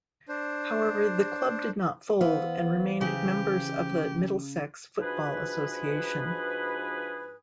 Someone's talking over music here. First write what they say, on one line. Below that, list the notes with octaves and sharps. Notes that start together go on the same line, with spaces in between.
However, the club did not fold and remained members of the Middlesex Football Association.
D4 C5
E3 B3 C5 F5
C#3 G4
G#2 F3 D4 F#4 G#4 B4